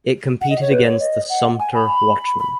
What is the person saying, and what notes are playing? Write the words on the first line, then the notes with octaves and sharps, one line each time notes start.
It competed against the "Sumter Watchman".
F#5
D#5
C#5
B4
C#5
D#5
F#5
G#5
B5
B5